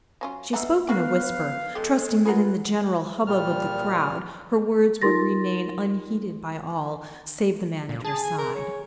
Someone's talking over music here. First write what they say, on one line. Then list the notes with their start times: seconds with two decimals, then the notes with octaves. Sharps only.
She spoke in a whisper, trusting that in the general hubbub of the crowd her words would remain unheeded by all, save the man at her side.
0.21 F#3 C#4 F4
0.53 B2 D3 B4 E5 F#5 A#5
0.89 D3 A#3 B3 F#4 B4 F5
1.75 G#3 G4 A4
2.25 F4 G#4 A#4 B4 F#5
3.27 A#2 G3 F6
5.02 D#4 F4 A#4 C6 A6 A#6
7.89 A#2
8.05 G#4 A5
8.23 G#5
8.38 A#4
8.55 C#5